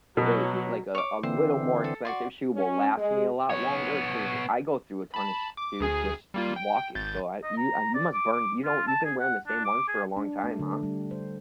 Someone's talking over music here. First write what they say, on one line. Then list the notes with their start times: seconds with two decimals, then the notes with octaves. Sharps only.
the like a a little more expensive shoe will last me a lot longer 'cause I go through a ton of shoes just walking, so I you, uh, you must burn you know, you've been wearing the same ones for a long time, huh?
0.17 B2 F#3
0.95 C#5 D6
1.23 D3 E3 C4 C5
1.84 A4
2.05 F#4 D5 C6
2.55 C#4
2.97 G#3
3.50 B3 C#5
5.14 A5 B5
5.57 D6
5.80 D2 G#4 G#5
6.34 G3 A#3 F4
6.56 G5
6.95 G#1 G6 A6
7.43 D#5
7.57 A#5
7.94 D5
8.13 D6
8.32 D6
8.65 F4
8.87 A5
9.05 G#4
9.20 F#5
9.47 D4
9.65 D6
9.88 G#4
10.17 D4
10.44 A3
10.59 D3
10.83 G3
11.11 C5